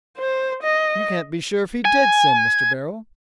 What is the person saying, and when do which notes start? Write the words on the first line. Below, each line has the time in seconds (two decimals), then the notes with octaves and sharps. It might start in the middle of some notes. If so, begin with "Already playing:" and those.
"You can't be sure if he did sin, Mr. Beryl."
0.18 C5
0.63 D#5
1.85 G#5